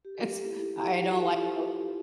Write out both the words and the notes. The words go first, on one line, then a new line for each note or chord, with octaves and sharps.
It's I don't like those
G4
A4
G4
A4
E4 G4
E4 G4
F4 A4
A4
E4 G4